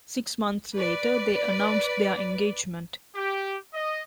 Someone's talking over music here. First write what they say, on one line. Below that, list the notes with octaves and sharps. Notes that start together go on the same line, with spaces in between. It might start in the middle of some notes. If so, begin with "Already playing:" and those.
Six months later, they announced their engagement.
B4 D5
G4
D#5